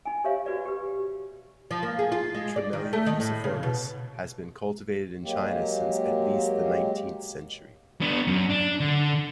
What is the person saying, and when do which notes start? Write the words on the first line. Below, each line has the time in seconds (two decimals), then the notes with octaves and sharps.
"Tremella fuciformis" has been cultivated in China since at least the nineteenth century.
0.05 D#4 G#5
0.24 G4 C5 C#5 E5 F5
0.46 F#4 B4 D5
0.65 G4 B4
1.71 F3
1.83 A#3
1.99 G#4
2.12 F4
2.34 G#3
2.56 D5
2.73 D#3
2.93 A3
3.06 D#3
3.20 A2
3.44 C#3
3.63 B2
5.24 F#3 G#3 A#3 G4
8.01 B3 D4
8.27 F#2
8.50 D4
8.80 D3